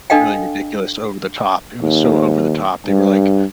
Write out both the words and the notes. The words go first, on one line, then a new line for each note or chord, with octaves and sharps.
Really ridiculous, over the top, it was so over the top, they were, like,
D4 A4 D#5 F5 G5
D#2
G2